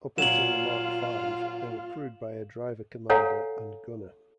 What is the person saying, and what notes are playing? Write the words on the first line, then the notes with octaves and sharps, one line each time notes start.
Up until the Mark V, they were crewed by a driver-commander and gunner.
A#2 F#3 F4 F5 E7 F#7
A4 C#5 F5 F#5 G#5 A#5